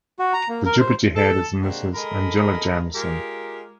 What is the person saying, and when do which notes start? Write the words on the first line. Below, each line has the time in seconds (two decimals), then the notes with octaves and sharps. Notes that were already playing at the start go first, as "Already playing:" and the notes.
The Depute Head is Mrs Angela Jamieson.
0.19 F#4
0.33 A#5
0.49 A#3
0.66 A#4
0.79 C5
1.16 A4
1.61 C3 G#3 A#3 D4 F#4
1.95 G#3 A4 A#4 D#5 B5
2.94 G#3 F4 G4 A#4